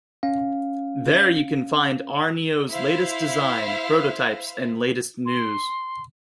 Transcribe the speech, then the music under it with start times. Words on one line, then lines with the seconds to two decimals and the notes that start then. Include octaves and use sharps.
There you can find Aarnio's latest design, prototypes and latest news.
0.23 C#4 F5
2.68 E4 C5 F5
5.26 C6